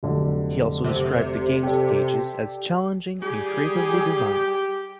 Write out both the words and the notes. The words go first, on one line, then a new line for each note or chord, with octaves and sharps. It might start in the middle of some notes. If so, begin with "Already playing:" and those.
He also described the game's stages as "challenging and creatively designed".
F1 D3 F#3
C3
G4 A4 D5
G3 G4 G#4